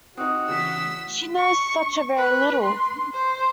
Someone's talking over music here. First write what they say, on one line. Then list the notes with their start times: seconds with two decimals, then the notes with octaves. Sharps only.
She knows such a very little!
0.17 C4 D#4 F#4 D#6
0.48 E2 C#3 E6 B6
1.37 C#6
2.17 B4
2.62 C6
3.13 C5